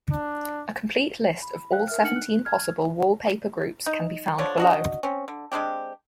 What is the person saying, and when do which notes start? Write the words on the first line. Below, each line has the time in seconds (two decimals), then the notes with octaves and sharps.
A complete list of all seventeen possible wallpaper groups can be found below.
0.11 D4
1.42 B5
1.71 C5 F5 G5 F#6
1.88 A#4 E5 F6
2.03 D4 D#4 F#5 F6 C#7 F#7
2.16 F#6
2.45 F6 G#6
3.86 D#4
4.38 D3 F3 D4 C#5
4.58 D4 F#4 D#5
5.03 C4 C#4
5.28 D3
5.52 G#3 C4 D4 G4